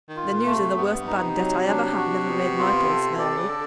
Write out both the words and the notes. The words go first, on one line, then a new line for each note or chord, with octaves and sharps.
The news of the worst bad debt I ever had, never made my pulse vary.
D#3
F4
A#2
A3
C3
G2 B3
D#4
C3
F#3
D4
F#4
B3
F4
A4
B2 D5
C3
C#3
D3 A4